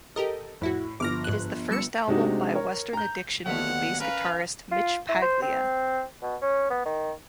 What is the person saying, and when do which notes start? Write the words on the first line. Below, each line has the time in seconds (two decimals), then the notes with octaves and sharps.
It is the first album by Western Addiction with the bass guitarist Mitch Paglia.
0.16 G4 A4 A#4 D#5
0.61 F2 A2 E4 F#4
1.00 G1 F3 D6 F6 A#6
1.24 G#2 F#6
1.71 G3 E6 C#7
2.07 C3 G#3 D4 D#4 F#4
2.53 A#4 C#5
2.93 A#5 G6
3.46 D#2 D3 F#3 A3 B3 F#5
4.00 C#4 A#4 B4 F5
4.72 F4
5.09 E4
5.22 C5
5.42 C4
6.22 B2
6.42 C#4
6.70 B3
6.86 D#3